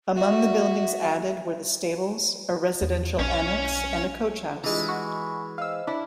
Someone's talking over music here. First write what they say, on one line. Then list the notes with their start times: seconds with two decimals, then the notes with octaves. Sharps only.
Among the buildings added were the stables, a residential annex and a coach house.
0.17 F#4 E5
2.82 E2
3.19 B1 C#4 C#5
4.64 E3 G#3 D4 F4 G4
4.88 F#4 G#5 B5 C#6
5.58 C5 D#5 F5 G5 E6
5.87 D4 E4